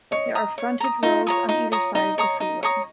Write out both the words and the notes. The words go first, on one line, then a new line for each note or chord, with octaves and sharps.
There are frontage roads on either side of the freeway.
C#5 D#5
A#5 D#6
C#5
A#5 D#6
D#4 F4
C#5 A#5 D#6
D#4
C#5 A#5 D#6
D#4 D#5
C#5 A#5 D#6
D#4
C#5 A#5 D#6